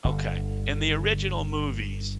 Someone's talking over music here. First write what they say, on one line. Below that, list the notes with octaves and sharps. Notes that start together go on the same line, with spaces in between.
Okay. In the original movies,
G1 D3